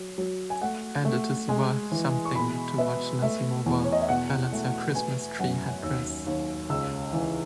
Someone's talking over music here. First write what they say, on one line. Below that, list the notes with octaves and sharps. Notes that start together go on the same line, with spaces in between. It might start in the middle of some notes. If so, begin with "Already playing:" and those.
And it is worth something to watch Nazimova balance her Christmas-tree headdress!
Already playing: F#3
F#3
G#5
A3 F#5
A3
G#3 G#5
E3
C#6
B2 B5
B3 E5
A3 E5
E2
C#5
D#5
E5
B2 F#5
A3
B3 G#5
F#2 F#5
D#2 E6
D#2
C#2 E6
E3